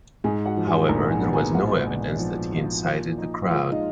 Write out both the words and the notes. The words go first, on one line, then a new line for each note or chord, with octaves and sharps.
However, there was no evidence that he incited the crowd.
G#2 G#4 G#5
F#4 F#5
F3
G#4 G#5
A#1 A#4 A#5
G#4 G#5
B3
G#4 G#5
G#2 F#4 F#5
A#1
F3
F3
A#2
D#4
G#3 F4 F5
D#4 D#5